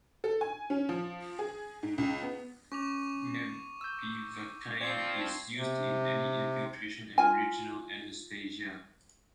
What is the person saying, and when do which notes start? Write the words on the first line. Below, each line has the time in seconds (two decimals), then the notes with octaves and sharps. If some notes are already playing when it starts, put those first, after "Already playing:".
Mepivacaine is used in any infiltration and regional anesthesia.
0.24 A4
0.41 G#5
0.70 C#4
0.89 F3
1.39 G#4
1.83 G#2
1.98 C#2
2.22 B3
2.72 C#4 C#6 D6 F7
3.81 E6 G6
4.81 F3 C4 D5 G#6 C7 C#7
5.57 C3
7.18 F4 G#5